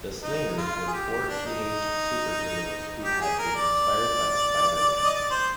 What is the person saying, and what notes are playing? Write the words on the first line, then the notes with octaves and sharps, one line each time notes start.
The Slingers were four teenage superheroes who had been inspired by Spider-Man.
D#4
F4
G#4
G4
G4
D4
D#4
G4
G#4
A#4
D5
D#5
D5
C5